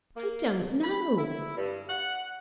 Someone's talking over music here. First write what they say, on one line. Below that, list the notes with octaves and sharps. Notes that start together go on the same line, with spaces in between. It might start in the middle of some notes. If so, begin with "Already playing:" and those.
"I don't know."
A#3
B5
E4
G2
F#5